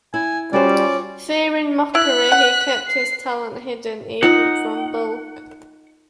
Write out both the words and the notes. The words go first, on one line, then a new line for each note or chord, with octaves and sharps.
Fearing mockery, he kept his talent hidden even from Bulk.
E4 G#5
G3 C#4 F4 F#4 C5 D5
E4 F#6 B6
F#5
C7
D#4 F4 F#5